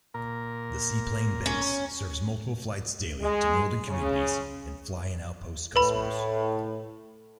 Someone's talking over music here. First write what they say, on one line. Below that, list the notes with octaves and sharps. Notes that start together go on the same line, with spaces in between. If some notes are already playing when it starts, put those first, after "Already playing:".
The seaplane base serves multiple flights daily to northern communities and fly-in outpost customers.
A#2 A#4
C#4
G#3
C#3
A2 B4 B5